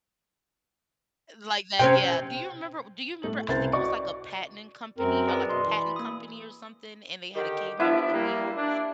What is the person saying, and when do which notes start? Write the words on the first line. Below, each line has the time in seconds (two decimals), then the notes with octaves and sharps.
Like that, yeah. Do you remember do you remember I think it was, like, a patenting company or, like, a patent company or something, and they had a caveman with the wheel,
1.79 C3 C4 C#4 G5
3.22 A2 A3 F#7
3.48 C2 C#3 B4 C5 A6
3.73 F#4 D5 D#5 C#6 D6
4.98 F#2 C4 A#4
5.28 G#4 B4 D5
5.49 B2 D#5 C6
5.64 E3
5.76 B5
5.96 A#3 D#6
7.35 D3 D#3 G4
7.80 F3 B3 D4 E4 E5
8.13 G3 A#3
8.57 D4